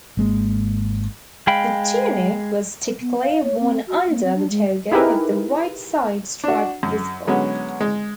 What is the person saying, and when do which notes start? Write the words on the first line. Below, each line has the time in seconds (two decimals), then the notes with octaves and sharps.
The tunic was typically worn under the toga with the right side stripe visible.
0.17 G#1 G#3 A#3
1.47 G#3 F5 G5 B5
3.01 B3
3.21 F5
3.44 C#5
3.60 C4
3.87 F#4
4.10 A#3
4.24 C4
4.36 D4
4.50 G#3
4.91 D#4 E4 G4 G#4 A#4 B4
6.44 D4 F#4
6.83 F#2
7.27 D3 F#3 G#3 B3 C#4
7.81 G#3